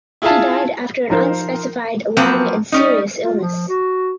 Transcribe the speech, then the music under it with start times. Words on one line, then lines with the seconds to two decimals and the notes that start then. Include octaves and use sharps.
He died after an unspecified long and serious illness.
0.22 E4 F4 G#4 E5 F5 A5
1.10 F3 D#4 A#4 C5
2.17 F3 F#3 A#3 C4 B4
2.72 G3 C#4 D#4
3.24 F4
3.41 F3
3.69 F#4